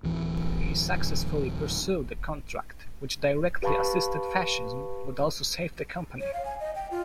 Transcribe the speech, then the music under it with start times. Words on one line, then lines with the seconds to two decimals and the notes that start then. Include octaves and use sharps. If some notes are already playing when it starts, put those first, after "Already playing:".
He successfully pursued the contract, which directly assisted fascism but also saved the company.
0.04 D1 E3
3.63 G4 B4 F5 A5 B5 C#6
6.20 C#5
6.33 F5
6.45 G#5
6.60 D#5
6.75 G5
6.91 F4